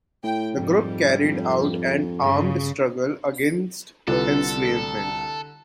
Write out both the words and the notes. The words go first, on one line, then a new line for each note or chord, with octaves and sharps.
The group carried out an armed struggle against enslavement.
A2 G5
F2 G#2 G3
F2
G2 C#3
C2 D3 F4 A4 B4